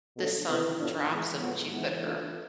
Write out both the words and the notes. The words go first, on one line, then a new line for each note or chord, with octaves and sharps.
the song Drops of Jupiter.
B2 A3 D4 A4
C3 E3 B3 E4 B4
A2 F3 B3 D4
E3 G#3 B3 E4
A2 F3 G#3 B3
E3 G#3 B3
E3 A3 D4 F4 B4